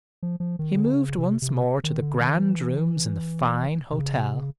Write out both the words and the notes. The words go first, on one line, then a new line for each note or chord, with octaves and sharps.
He moved once more to the grand rooms in the fine hotel.
F3
F3
D#3
D3
C#3
C3
C3
D#3
D3
D#3
E3
C3
C#3
C3
C#3